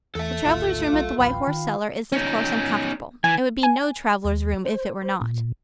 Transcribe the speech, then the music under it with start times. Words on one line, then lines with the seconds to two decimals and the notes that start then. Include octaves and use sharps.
The travellers' room at the White Horse Cellar is of course uncomfortable; it would be no travellers' room if it were not.
0.15 E2 A4 E5
0.45 G#1 D2 F4
0.93 B1 F4
1.18 D1 A1 B4 F5 G5
1.47 D#3
2.12 C#4 D#4
3.24 E3 G#5
3.63 G#5
4.25 D#2
4.66 C5
5.02 C5
5.21 A#2